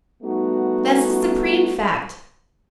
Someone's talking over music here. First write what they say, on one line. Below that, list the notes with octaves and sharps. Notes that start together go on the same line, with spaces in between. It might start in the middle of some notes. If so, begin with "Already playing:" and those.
That's the supreme fact.
G3 A3 B3 D#4 F#4